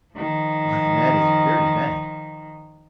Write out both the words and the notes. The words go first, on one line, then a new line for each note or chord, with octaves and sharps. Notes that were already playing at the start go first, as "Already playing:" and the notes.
Why, that is very bad!
D#3 F3